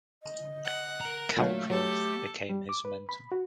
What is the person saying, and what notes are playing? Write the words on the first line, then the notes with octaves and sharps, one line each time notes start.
Kalckreuth became his mentor.
D#5
F#5
A#4 A#5
A#2 D3 F#3 A3 F5
F#3 G4 A4
G3
D6
B4
B5
F#4